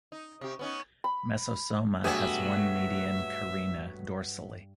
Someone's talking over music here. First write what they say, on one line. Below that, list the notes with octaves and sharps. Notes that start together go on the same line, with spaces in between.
Mesosoma has one median carina dorsally.
D#4
C3 G4
B3 C#4 D#4
B5
G2 B2 F#3 A3 B3 F#4 G#4 E5